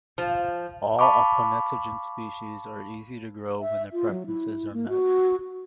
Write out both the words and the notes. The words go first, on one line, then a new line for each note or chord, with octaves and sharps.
All "Aponogeton" species are easy to grow when their preferences are met.
F3
F5 A5 B5 C#6 D6
E5
F4
F#3
E4
A#3
F#4